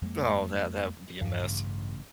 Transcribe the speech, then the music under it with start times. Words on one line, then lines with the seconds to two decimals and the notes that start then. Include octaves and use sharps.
Oh, that that would be a mess.
0.02 F2 G#3 A#3
1.21 E2 G2
1.40 A1 C#3